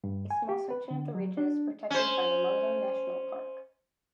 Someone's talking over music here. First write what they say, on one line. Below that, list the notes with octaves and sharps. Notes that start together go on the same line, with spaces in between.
A small section of the region is protected by the Mungo National Park.
G2
G#5
G4
B4
D3
F#3
D4
C#4 C5